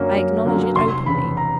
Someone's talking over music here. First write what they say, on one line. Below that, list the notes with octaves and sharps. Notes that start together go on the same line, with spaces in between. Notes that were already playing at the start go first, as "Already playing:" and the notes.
I acknowledge it openly.
Already playing: F#2 D3 F#3 A#3 C#4
F#2
D3 F#3 A#3 C#4
F1 C6
E2 C#3 B5
A#5